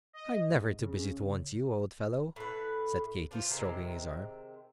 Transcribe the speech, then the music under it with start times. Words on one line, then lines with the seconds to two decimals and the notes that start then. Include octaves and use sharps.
"I'm never too busy to want you, old fellow," said Katy, stroking his arm.
0.13 D#5
0.48 G#2
0.79 C#3
2.36 A2 B4
3.31 D4 F4 C5
3.49 C3 D#3 G#3 C4